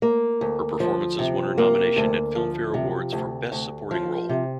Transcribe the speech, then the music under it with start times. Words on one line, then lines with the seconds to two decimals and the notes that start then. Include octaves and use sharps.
Her performances won her nomination at Filmfare Awards for Best Supporting Role.
0.02 A#3
0.41 D2
0.80 F3
1.19 C3
1.58 A#3
1.96 D2
2.35 F3
2.74 C3
3.13 D2
3.52 D2
3.91 F3
4.29 C3